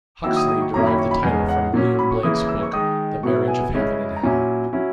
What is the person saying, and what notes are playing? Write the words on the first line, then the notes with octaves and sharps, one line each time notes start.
Huxley derived the title from William Blake's book "The Marriage of Heaven and Hell".
D#3 F#3 A#3 E4 E6
D#6
D#6
C#6
F#2 D#3 A#3 C#4 E4 A#5
B5
C#6
B5
E2 C#3 G#3 G#5
F#5
A#2 F#3 C#4
B5
C#6
C#3 E3 A#3 E4 D#6
E6
C#6
D#3 G#3 D#4 D#6
B2 F#3 B3 E4 C#6
G#5
C#3 G#3 C#4 E4
A#5
A#2 F#3 C#4 E4 G#5
F#3 C#4 E4